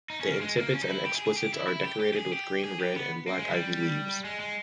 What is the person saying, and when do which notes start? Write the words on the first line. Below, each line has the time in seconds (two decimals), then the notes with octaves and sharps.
The incipits and explicits are decorated with green red and black ivy leaves.
0.10 D#4
0.21 C#4
0.31 A#3
0.41 G#3
0.58 A#3
0.74 C#4
0.83 D#4
0.89 E4
1.05 G4
1.15 G#4
1.26 G#4
1.37 G4
1.54 E4
1.68 E4
1.85 G4
2.00 G4
2.13 G4
2.16 G#4
2.32 G4
2.64 G#4
2.80 G4
2.96 B3
3.28 A#3
3.39 G#3
3.50 G3
4.24 G#3
4.40 G#3